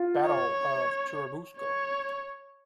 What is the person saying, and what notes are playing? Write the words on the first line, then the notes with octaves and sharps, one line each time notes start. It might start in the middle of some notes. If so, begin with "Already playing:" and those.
Battle of Churubusco.
Already playing: F4
C#5
C#5